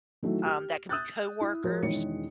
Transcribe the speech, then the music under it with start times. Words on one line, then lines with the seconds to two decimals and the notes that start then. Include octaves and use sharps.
um, that can be coworkers.
0.23 D#3 E3 F#3 A3
0.45 G4 F6
0.89 D#6 E6 F#6 G6 A6
1.41 E4
1.64 F3 F4 F#4 A#4 C#5
1.83 E1 E2 D#3 G#3 C#5 C#7